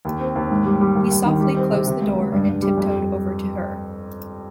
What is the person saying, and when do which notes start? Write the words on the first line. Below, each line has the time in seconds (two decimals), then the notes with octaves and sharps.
He softly closed the door and tiptoed over to her.
0.05 D#2
0.20 C4
0.35 D#2
0.51 G#2
0.66 G3
0.81 G3
0.95 D#2
1.11 D#2
1.26 D#3
1.41 G3
1.57 C4
1.72 C3
1.87 C3
2.02 C#2
2.17 C#2
2.32 G2
2.47 G2
2.62 G3
2.78 F2